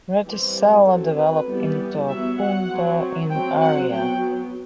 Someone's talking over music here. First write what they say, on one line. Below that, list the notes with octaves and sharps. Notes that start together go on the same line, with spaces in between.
Reticella developed into Punto in Aria.
E3 G3 C4 G4
F#3 C4 A4
B4
E3 G3 B3
F#3 B3 E5
F#5
F#3 C4
F#3 C4 G5
F#5
F#3 B3 G5